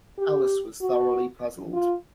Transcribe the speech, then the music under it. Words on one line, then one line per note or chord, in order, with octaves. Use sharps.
Alice was thoroughly puzzled.
G4
F#4
F4